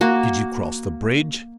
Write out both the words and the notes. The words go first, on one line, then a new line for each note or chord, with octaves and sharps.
"Did you cross the bridge?"
A#3 F#4